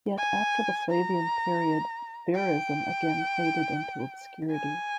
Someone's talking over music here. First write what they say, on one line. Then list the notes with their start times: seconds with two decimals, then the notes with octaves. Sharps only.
Yet after the Flavian period verism again faded into obscurity.
0.18 G#5
0.90 A#5
2.35 G5
4.52 G#5